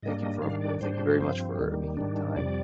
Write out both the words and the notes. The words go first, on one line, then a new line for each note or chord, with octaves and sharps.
thank you for thank you very much for making the time.
G#2 G3 A#3 D4 D#5
D#5
G#2 D#3 G3 D4 F5
D5
G#2 G3 D4 C5
G2 F3 C4
D#2 D#3 G3
G#2 D#3 G3 D4
F2 C3 G3 D5